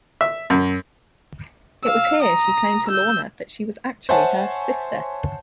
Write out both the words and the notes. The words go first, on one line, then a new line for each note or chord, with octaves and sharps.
It was here she claimed to Lorna that she was actually her "sister".
E5
F#2
F5 E6
A#5 D#6
E6 G6
C5 C#5 E5 F#5 G#5 A5